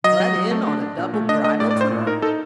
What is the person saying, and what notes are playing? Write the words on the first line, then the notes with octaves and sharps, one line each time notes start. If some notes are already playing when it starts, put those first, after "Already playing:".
Butt in on a double bridal tour?
F#3 D#5
F#3
F#3
A3
D4
D4
A#2
A3
D4 D#5
A3 D#5
A2 D5
D5
A2
C5
A#2
D#4 A#4
D#4 A4